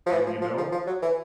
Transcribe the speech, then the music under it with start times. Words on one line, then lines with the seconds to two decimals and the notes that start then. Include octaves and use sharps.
and, you know,
0.06 F3
0.11 E3
0.26 F3
0.41 F3
0.57 F3
0.72 F3
0.87 F#3
1.02 E3